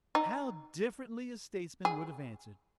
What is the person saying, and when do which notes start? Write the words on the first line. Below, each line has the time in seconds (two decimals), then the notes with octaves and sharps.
How differently a statesman would have answered!
0.15 D#4
1.85 G#4